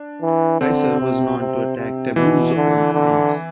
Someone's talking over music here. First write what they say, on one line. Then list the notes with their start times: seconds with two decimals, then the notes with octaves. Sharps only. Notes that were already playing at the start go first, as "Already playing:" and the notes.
Reiser was known to attack taboos of all kinds.
Already playing: D4
0.22 E3
0.61 D3 C4
1.00 C3
1.38 C3
1.77 C3
2.16 B2 E3
2.55 D3
2.93 D3